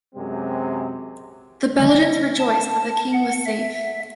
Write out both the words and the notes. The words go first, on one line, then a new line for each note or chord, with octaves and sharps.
The Belgians rejoiced that the king was safe.
F#2 C3 G#3 C4
D#5
A5
F#5
E5